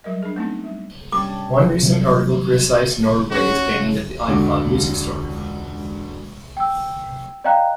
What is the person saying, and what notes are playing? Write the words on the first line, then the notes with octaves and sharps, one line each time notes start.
One recent article criticized Norway's banning of the iPod music store.
F#3 G3 A#4 D#5
D4 G#4
A3 B3 C4 D#4
G3
G3 C#4 D4 D6
C3 E3 F#3 G3
C#4 F#4
C#3
E1 C#2 D3 D4 F#4 D6
G5 E6
D5 D#5 F5 G5 A#5 F#6